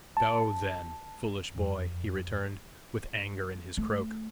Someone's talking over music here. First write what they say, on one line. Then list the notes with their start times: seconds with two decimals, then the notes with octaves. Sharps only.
"Go, then, foolish boy!" he returned, with anger in his croak.
0.17 A5
1.56 F2
3.77 A3